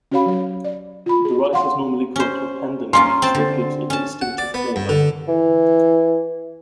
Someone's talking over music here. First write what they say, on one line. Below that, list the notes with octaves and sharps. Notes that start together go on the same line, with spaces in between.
The rice is normally cooked with pandan leaves that gives it a distinctive flavour.
C#4 F#4 G4 C#5 F5 B5
F#3 C#5
D5
F4 B5
G#4
F5 F#5 C6
C#4 C5
A#3 C#4 F4 C6
C4 A5
D3
C#4 A5
F#5
D5
B3
G2
D3
E3